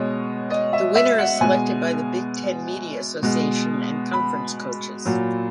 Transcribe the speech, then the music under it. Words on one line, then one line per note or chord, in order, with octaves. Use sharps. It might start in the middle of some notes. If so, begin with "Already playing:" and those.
The winner is selected by the Big Ten media association and conference coaches.
Already playing: B2 G#3 C#5 D#5
D#5
E5
E5
F#5
B2 G#3 G#5
B2 G#3
B5
A#2 F#3